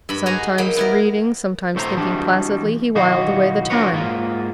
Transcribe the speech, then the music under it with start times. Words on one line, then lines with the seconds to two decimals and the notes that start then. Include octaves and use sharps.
Sometimes reading, sometimes thinking placidly, he whiled away the time.
0.09 G2 B5
0.26 D#4 F#4 G#4 G#5 A#5
0.58 F#3 A#3 G5 B5
0.77 B3 E4 A#4
1.75 E2 A2 A3 C5 A#5
1.95 E3 G3 D4 F#4
2.95 B1 D#3 E3 D#4 F#4 F5
3.70 D4 F4 F#4 A#4 B4 C#5
3.92 G#2 A#3 F4